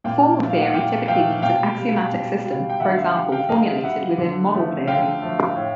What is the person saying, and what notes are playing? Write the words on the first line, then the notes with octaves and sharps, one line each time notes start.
A formal theory typically means an axiomatic system, for example formulated within model theory.
A#2 F5 G5
F3 A3
F5
F#5
A#2 F5 G5
F3 A3 F5 G5
B2 F5 G5
G3
B2
G3
G5
D3 E5 F#5
F5
E5 F#5
G3 F5 G5
F5 G5
D3 D#5 F5
G3 E5 F#5
D3
F3 A3
D3 F5 G5
F3 A3
A2